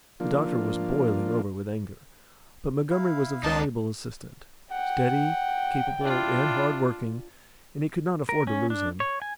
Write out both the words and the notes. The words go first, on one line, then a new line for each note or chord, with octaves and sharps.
The doctor was boiling over with anger, but Montgomery was a valuable assistant--steady, capable, and hardworking--and he could not afford to lose him.
F3 A#3 D4 F4
E4 F5
C#2 D4 D#4 D#5 A5
F#5 G5
D4 E4 F4
A#4
C#4
D4
C#5
G#5